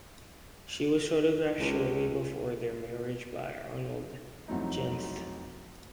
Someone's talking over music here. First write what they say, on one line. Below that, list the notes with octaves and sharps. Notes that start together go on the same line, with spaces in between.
She was photographed shortly before their marriage by Arnold Genthe.
C#2
C2 F2 F#3 A3 D#4